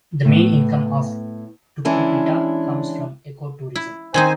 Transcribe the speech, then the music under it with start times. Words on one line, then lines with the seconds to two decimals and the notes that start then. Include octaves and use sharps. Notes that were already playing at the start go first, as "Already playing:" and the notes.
The main income of Tucupita comes from eco-tourism.
0.25 A2 B3
1.85 E3 G#3 C#4 D4 E4
3.76 E4
4.14 D#3 C4 D#4 C5 G#5